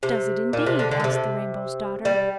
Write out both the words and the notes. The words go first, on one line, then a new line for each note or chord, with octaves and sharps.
"Does it, indeed?" asked the Rainbow's Daughter.
C3
A#2
C3
D3
D3
A#2
C3
G3